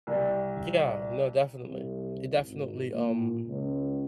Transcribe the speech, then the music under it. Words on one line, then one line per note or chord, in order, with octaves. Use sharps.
Yeah, no, definitely. It definitely, um
C2
C2
G#1
A#2
C#2